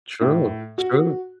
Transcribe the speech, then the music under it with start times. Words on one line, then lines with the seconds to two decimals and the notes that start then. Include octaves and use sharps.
True, true,
0.21 A2
0.78 F#4